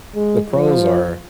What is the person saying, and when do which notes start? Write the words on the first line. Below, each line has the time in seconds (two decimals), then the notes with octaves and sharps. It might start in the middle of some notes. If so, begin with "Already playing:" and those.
the pros are
0.15 G#3
0.51 F3